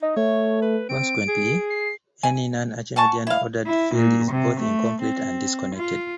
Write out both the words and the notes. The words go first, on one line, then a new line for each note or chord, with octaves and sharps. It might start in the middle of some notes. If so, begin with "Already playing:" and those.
Consequently, any non-Archimedean ordered field is both incomplete and disconnected.
D#4 D#5
A3 C#5
B4
C4 D7
G#4
C7
G#5
F#5 G#5 A5 C#6
E4 F5
E4
A#2
C3
A3
C4
F4